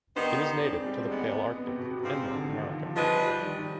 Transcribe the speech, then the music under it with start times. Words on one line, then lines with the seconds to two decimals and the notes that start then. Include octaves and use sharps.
It is native to the Palearctic and Northern America.
0.16 D#3 B3 D4 D#4 G4 C5
0.58 D4
0.63 C4
0.74 G#3
0.86 G3
0.98 C4
1.09 D#2 D3 G#3 B3
1.56 B3
1.68 C3
1.79 B2
1.91 C3
2.03 G#2 C3 F3 C4
2.34 D3
2.49 D#3
2.61 F3
2.73 D#3
2.84 F3
2.95 F3 G3 G#3 D4 G#4 B4
3.27 G3
3.43 D#3
3.59 D#3